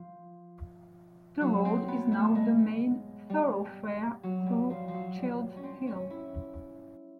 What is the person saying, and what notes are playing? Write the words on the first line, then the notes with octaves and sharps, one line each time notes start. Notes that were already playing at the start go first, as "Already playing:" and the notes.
The road is now the main thoroughfare through Childs Hill.
Already playing: F3
F#3
C4
B3
A3
G#3
G3
F#3
G3
F3
F3
F#3
G3
C#4
C4
C#4
E4